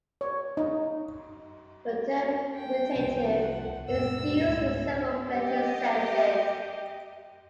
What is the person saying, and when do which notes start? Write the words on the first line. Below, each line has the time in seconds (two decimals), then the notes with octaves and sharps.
The term "commutative" is used in several related senses.
0.21 C#5
0.57 D#4
2.55 G5
2.96 C2 C3 F3
3.30 F#5
3.89 F#2 A#2 E6
4.44 C#2 G#2 A3
5.26 G4 D#5